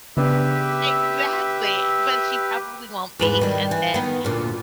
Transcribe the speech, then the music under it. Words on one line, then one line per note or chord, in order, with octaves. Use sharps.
Exactly, but, she probably won't be, and then,
C#3 B3 D4 G4 B4 E5
E2 G#2 B4
D#3 G3
E3
D#3 B3
D2 A#2